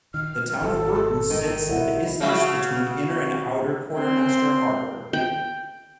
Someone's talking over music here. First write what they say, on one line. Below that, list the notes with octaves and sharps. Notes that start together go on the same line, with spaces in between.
The town of Burton sits at the isthmus between Inner and Outer Quartermaster Harbor.
D#3 F6
G#1 A4
A4
D#3
C2 B2 E4 F#5
C#3 F#4 E5
C4 C6
G5